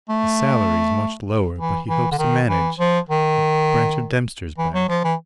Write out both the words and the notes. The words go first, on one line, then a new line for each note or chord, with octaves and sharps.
The salary's much lower, but he hopes to manage--a branch of Dempster's Bank.
A3
E3
E3
D3
D#3
E3
F3
D#3
E3
F#3
F3
E3